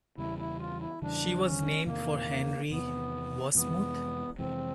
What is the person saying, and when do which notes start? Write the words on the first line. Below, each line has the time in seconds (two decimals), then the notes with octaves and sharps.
She was named for Henry Wasmuth.
0.18 E2 C#3 E3 G3 E4
0.38 E4
0.59 F4
0.80 E4
1.02 E2 C#3 E3 G3 D4
1.44 C#4
1.85 E2 C3 D#3 A#3
2.70 E2 C3 D#3 B3
3.55 F2 C3 E3 G#3 B3
4.38 F2 C3 E3 G#3 C4